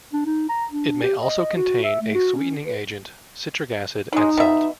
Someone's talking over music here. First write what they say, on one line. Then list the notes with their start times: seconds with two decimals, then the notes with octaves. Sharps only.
It may also contain a sweetening agent, citric acid and salt.
0.13 D4
0.26 D#4
0.49 A#5
0.71 D4
1.03 G4
1.20 D#5
1.56 F#4
1.84 E5
2.01 A3
2.15 F#4
2.35 C#4
2.66 B4
4.13 F#3 G#3 D#4
4.38 B2 E5